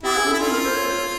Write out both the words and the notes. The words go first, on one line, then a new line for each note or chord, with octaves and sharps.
That was a mistake.
E4 G4
G#4
A4
E4
F4 A4
A#4
C5
C#5